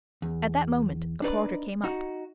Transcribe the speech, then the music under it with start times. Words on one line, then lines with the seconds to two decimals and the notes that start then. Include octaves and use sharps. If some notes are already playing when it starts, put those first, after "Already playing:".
At that moment a porter came up.
0.22 E2
1.22 D4 D#4 B4 D5
1.84 D#4 F#4